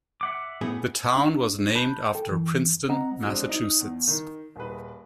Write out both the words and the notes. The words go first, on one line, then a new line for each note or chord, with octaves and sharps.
The town was named after Princeton, Massachusetts.
E5 F#5 D6
A2 B3 G#4
D4
A5 B5 F#6 G6
A4 G5
F#2 E3
C4 D#5 F#5 A#5
F#3 G#3 C4 D4
D#4
E2
D#3
D#1 G#4 B4